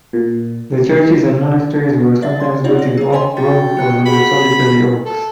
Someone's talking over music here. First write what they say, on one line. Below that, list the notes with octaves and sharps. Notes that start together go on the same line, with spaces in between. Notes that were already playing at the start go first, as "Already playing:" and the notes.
The churches and monasteries were sometimes built in oak groves or under solitary oaks.
A#2
D5 E5 A6
C6
D#4 F4 C#5 D5 F#5
D5 A#6
G#4 C#5
C5 C#5 D#5 G5 G#5 C6
F#4 G4 G5 A6
G4 F#6 C#7
F#4 G#4 F#5 B5
A4